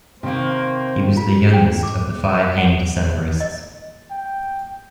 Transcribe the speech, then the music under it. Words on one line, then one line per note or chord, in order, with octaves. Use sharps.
He was the youngest of the five hanged Decembrists.
C3 D#3 A#3 C5
F4
G5
D6
F#5
D#5
G5